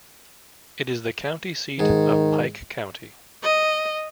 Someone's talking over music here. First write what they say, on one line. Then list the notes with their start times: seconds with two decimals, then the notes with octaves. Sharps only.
It is the county seat of Pike County.
1.79 G#2 D#3
3.43 D#5